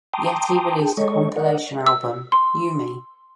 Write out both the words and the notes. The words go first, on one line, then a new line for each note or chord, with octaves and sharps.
Yeti released a compilation album, Yume!
G5 A5 A#5 C6 D6 D#6
G#4 G5 A5
G#3 A4 C#5 D#5 C#6
A#4 D5 D#5 F#5
E6
C6